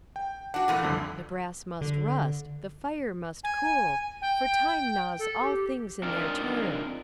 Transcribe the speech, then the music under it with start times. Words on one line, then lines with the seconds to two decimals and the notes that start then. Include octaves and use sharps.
The brass must rust, the fire must cool, for time gnaws all things in their turn.
0.16 G5
0.54 D4 F#4 F#5
0.68 A#2 E3 A3
0.83 C2 F2 D3
1.81 D3
3.44 G#5
4.22 G5
5.19 A4
5.42 G4
6.03 C4 D4 D#4 F4 A#4 D5